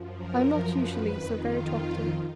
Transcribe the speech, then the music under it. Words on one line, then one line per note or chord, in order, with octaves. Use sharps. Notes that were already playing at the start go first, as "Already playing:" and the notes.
I am not usually so very talkative.
Already playing: F#2 F3
A#4
B4
F2 D#3 B4
F4